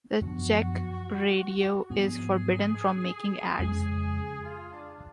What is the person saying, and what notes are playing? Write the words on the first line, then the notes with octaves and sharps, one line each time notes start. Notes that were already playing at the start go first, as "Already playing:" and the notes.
The Czech radio is forbidden from making ads.
F#2 F3 B3 D4 F#4
G#2 F3 B3 G#4
F2 C#3 G#3 C#4 G#4
F4
D4